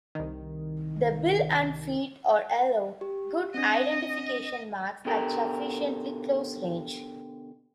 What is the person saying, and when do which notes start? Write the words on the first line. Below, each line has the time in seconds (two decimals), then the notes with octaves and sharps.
The bill and feet are yellow, good identification marks at sufficiently close range.
0.15 C2 D#3
3.01 G4
3.54 C4 D4 D#5
5.05 B2 D3 G4 A#4